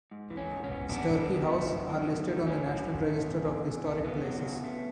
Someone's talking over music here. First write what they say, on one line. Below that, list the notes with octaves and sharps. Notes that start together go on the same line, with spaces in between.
Sturkey House are listed on the National Register of Historic Places.
G#2
E3
C#4
G#2
C#4
B3
E2 B3 D4
D3
E2
A3
F#2
E3
F#2
A3
A2 C#4
F#3
A2
A3
E2
D3
E2
A3
C#3 B3
F#3
C#3
A3